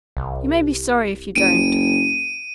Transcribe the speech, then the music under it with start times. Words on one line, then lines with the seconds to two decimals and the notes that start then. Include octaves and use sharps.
"You may be sorry if you don't."
0.17 C2
1.35 F#1 D7 D#7